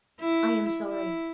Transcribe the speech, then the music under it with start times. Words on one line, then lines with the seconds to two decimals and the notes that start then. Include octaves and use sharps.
I am sorry.
0.20 E4
0.89 E4